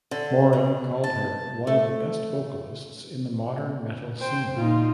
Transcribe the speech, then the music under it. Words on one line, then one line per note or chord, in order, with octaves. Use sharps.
Morin called her "one of the best vocalists in the modern metal scene".
D3
B2
A5
A3
C5 G5
A#2 D#4 F4